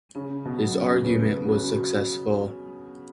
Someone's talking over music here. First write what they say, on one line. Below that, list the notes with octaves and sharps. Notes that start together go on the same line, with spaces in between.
His argument was successful.
C#3 C#4
B2
F#3
C#3
C#3 B4
C#3 F#4